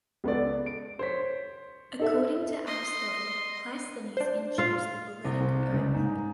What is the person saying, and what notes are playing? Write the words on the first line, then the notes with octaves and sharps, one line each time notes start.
According to Aristotle, Cleisthenes introduced the Bouleutic Oath.
C#2 B3 A4 D5
D7
C5 C#5 B6
D#4 A4 E5
D#5 C6
D4 C5
F4 F5
C2
C2
C#2
G#2